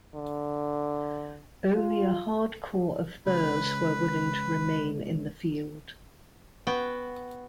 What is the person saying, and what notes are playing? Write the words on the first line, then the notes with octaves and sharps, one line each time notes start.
Only a hard core of Boers were willing to remain in the field.
D3
F4
C#2 B4
B3 F#4 G5